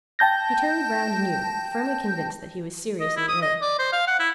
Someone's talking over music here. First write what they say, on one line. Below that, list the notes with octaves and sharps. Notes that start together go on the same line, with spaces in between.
He turned round anew, firmly convinced that he was seriously ill.
G5 A5 G6 A#6
D#5
E4
D#6
D#5
D5
C5
F5
F#5
E4